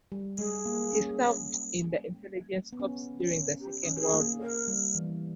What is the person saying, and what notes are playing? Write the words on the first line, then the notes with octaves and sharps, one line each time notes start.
He served in the Intelligence Corps during the Second World War.
G3
G#3 G#4
A#3
C#4
B3
C#4
C#4
G4
C#4
G4
G#4
A#3
A#4
G3
E3